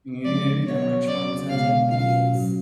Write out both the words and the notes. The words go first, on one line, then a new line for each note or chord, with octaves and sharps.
Mhm, that wanna traumatize everybody else.
F3 G#3 C#4 D5
F#3 B3 F#4 C#5
F#3 C#4 F#4 D5
B2 G#3 B3 F5
B2 F#3 A3 C#4 F4 F5
A2 F#3 C#4 F#4